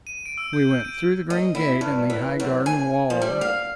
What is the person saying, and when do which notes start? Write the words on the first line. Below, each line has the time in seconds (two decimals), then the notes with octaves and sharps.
We went through the green gate in the high garden wall.
0.07 D#7
0.26 D7
0.38 E6
0.53 G6
0.71 G6
0.85 D7
1.30 D#5
1.55 E4
1.81 G2
2.10 E3
2.40 F#2
2.66 G#5
3.10 F3
3.22 G3
3.41 F5